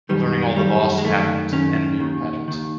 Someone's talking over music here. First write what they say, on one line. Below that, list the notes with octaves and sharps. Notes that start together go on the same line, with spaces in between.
learning all the boss patterns and enemy patterns.
F#2 D#3 G3
F#2 D#3 G3
G#3
F#2 D#3 A3
F#2 D#3 C#4
D#2 D#3
D#2 D#3